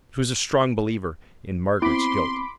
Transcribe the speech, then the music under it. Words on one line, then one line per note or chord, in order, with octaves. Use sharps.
She was a strong believer in Margaret's guilt.
B3 C4 E4 B5 C6 D6